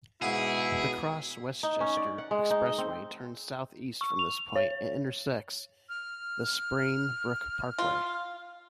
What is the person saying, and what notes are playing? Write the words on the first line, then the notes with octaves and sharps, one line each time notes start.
The Cross-Westchester Expressway turns southeast from this point and intersects the Sprain Brook Parkway.
G#2 B2 E4 G#4 F5 F#5
D#4
C#4
D5
F#5
G#3
D#4
D#5
C4
C#6
F7
C#5
F6
F4